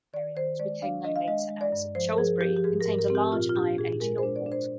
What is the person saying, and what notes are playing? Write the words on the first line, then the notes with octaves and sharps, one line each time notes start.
This area which became known later as Cholesbury contained a large Iron Age Hillfort.
D#3 D5
D#3 C5
G#3 D5
D4 F5
D4 D#5
F5
G#3 D#5
G#3
D5
G2
F3 C5
A#4
F3 G#4
F3 G4
G4
G#2 G#4
A#4
G#2
A#4
C4
G4
A#2 F4
F4
D4 G4
A#2 G#4
G#3 A#4
C5
D4
D5
D4
C5